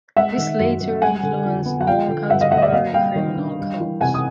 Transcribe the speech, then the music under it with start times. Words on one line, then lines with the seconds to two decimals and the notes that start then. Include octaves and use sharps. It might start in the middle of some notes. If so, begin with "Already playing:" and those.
This later influenced more contemporary criminal codes.
0.17 G#3 E5 F#5
0.38 D#3
0.59 F#2
0.80 F#2
1.02 G3 F#5 G#5
1.23 D3
1.45 F2
1.66 B3
1.81 F#5
1.87 F3 F5 G5
2.08 D3
2.30 G2 E5 F#5
2.41 D#5 F5
2.51 A3 E5 F#5
2.57 D#5
2.62 D5 E5
2.73 A#3 D#5 F5
2.94 G3 F5 G5
3.16 D#3
3.37 D4
3.58 G3
3.80 E3
4.01 C3 F#5 G#5
4.14 D#6